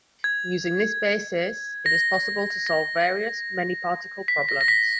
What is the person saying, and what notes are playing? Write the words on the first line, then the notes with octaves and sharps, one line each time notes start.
Using this basis, it is possible to solve various many-particle problems.
G#6
A#6
A#6
B6
A#6
A#6
B6